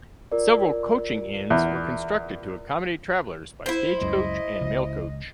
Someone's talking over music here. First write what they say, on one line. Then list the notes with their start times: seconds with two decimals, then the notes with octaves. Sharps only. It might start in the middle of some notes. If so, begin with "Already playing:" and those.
Several coaching inns were constructed to accommodate travellers by stagecoach and mail coach.
0.32 F4 A#4 D5
1.50 E2
3.66 E4 C5
4.01 C#2 F#2 C#3 D#5
4.61 C#2